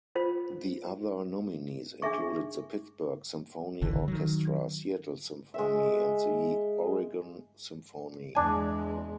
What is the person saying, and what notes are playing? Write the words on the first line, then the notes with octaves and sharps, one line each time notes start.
The other nominees included the Pittsburgh Symphony Orchestra, Seattle Symphony and The Oregon Symphony.
F4 C5
D4 G#4 E5 C#6
F#1 B1 D3 E3
D#3 F#3
G#3 E5
E2 G#3 D4 G#5